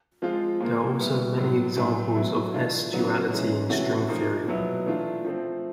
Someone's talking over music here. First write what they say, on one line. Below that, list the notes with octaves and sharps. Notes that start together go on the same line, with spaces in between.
There are also many examples of S-duality in string theory.
F3 G#3 C4 F4
A#2 F3 A#3
G3 B3 E4
A2 F#3 B3
A2 F#3 A3 D4
B2 F#3 B3 E4
E3 A3 D4 F4
C#3 F#3 B3 D#4 F#4
E3 G#3 C#4
C3 E3 A3 C#4 F#4
A#2 F3 A#3 D#4
B2 F#3 B3 E4
E3 A3 D4 F4
F3 A3 C4